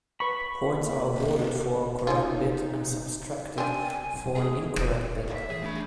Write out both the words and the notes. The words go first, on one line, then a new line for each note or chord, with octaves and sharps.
Points are awarded for a correct bid and subtracted for an incorrect bid.
B4 B5 C#6
A#3
F3 C#4 D#4 F4
C4 D4 G#5
G#4
C#5
E5
E3 G#4
A3 D4 B5